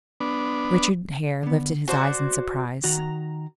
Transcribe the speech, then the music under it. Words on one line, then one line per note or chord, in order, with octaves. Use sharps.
Richard Hare lifted his eyes in surprise.
B3 D4
D3 B3
F#4 C5 D5 F#5 A5
D#3 F#4 A#5